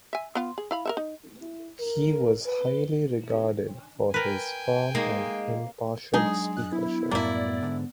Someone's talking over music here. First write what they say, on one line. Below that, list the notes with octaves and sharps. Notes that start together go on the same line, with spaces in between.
He was highly regarded for his firm and impartial speakership.
E5 G#5
B3 F4
G#4
E4 F5 B5
A#4 C#5 E5
D#4
E4
A#4
B4
A#4 B4 G5 G#5
G#3 A#3 D#4 G#4
F#3 G#3 D4 D#4 G#4
F#2 F#6
B3 E4
F#2 A2 G3 A#3 E4 D5
G#2 D3